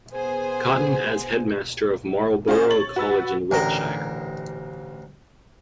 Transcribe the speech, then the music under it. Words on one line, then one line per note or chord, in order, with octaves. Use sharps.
Cotton as Headmaster of Marlborough College in Wiltshire.
B3 G#4 C5 G#5
C#4 F4 F#4 G#4 C5 D#5
C#5 A6 F#7
F#4 B4 E6 A6
A1 D2 A#4